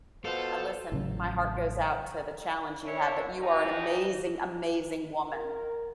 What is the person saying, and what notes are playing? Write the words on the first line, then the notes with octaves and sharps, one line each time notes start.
l listen, my heart goes out to the challenge you have, but you are an amazing, amazing woman.
B2 F4 A4 C5
A1 C#3 F#3
C#4 D4 E4 C#5
B2 G3 D#4 G#4
A#4